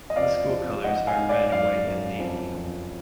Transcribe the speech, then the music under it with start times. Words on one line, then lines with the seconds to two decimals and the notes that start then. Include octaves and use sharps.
The school colors are Red, White, and Navy.
0.10 D#5
0.16 F2 D5 F5
0.50 F2
0.84 G#2 D#5 F#5
1.07 F5 G#5
1.18 G#2
1.29 D5 F5
1.52 F#2 D5 F5
1.86 F#2
2.20 F2
2.55 F2